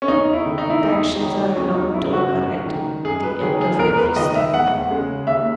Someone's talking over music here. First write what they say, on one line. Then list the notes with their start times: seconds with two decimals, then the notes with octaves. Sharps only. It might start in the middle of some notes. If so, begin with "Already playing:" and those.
Hip actions are allowed to occur at the end of every step.
0.02 C#4
0.08 E2 D#4
0.33 E4
0.46 D#3 G#3
0.58 D#4
0.70 E4
0.82 E2 D#4
1.20 D#3 F#3
1.56 E2 C#4
1.75 D#4
1.93 F#3 E4
1.98 C#3
2.13 F#4
2.30 F#2
2.67 D#3 G#3
3.05 F#2 G#4
3.24 B4
3.41 D#3 G#3 G#4
3.61 G#4
3.78 E2 A#4
3.97 B4
4.16 D#3 G#3 D#5
4.35 E5
4.53 E2 F#5
4.90 C#3 G#3
5.27 D#2 E5